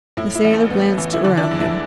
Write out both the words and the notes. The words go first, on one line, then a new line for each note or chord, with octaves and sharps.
The sailor glanced around him.
A2 E4
E4
A1
A3
A1 B3
E3
E4
D3 D4
D4
E4
E2
E4